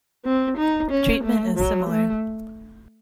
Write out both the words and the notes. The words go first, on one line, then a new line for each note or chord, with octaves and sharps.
Treatment is similar.
C4
D#4
C#4
A3
F#3
A3